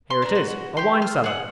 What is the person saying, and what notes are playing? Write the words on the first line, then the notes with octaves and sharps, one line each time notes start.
Here it is--a wine-cellar.
C6
D4 A#5
F#4
G4 C6
F6
G#4 F#5